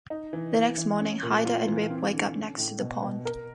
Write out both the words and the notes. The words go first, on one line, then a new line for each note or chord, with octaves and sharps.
The next morning, Hyder and Rip wake up next to the pond.
D#4
E3
E3
E3
C#4
A#2
F4
E3
C4
D3
C#4
A2
B2
B2
A#4